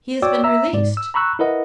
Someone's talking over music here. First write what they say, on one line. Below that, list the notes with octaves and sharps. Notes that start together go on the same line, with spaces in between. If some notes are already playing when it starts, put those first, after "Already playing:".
"He has been released."
F#4 C#5 D5 G5 D6 E6
E5 A#5 E6
G#2 D5
E6
A#5 B5 C#6 E6 F#6
E4 A#4 B4 D#5 F#5